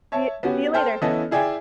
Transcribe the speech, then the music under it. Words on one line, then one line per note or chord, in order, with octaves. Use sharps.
See y see you later.
C#5 E5 A5
B3 C#4 F#4 G4
A4 C5 G5 A5 F6
E3 B3 C#4 E4 A4 D#5
E4 G#4 D5 E5 G5 G#5